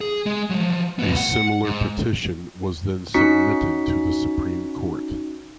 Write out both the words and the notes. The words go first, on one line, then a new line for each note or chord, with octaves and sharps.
A similar petition was then submitted to the Supreme Court.
G#4
G#3
F3 F#3
A2 B3
F#5
G#2
C#4 D#4 F#4 B6 C#7